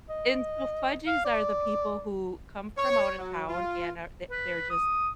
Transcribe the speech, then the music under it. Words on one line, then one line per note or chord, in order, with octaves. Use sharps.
And so, "fudgies" are the people who come from out of town and are the they're just
D#5
F5
D5
C#5
F#3
F4
B4
D#6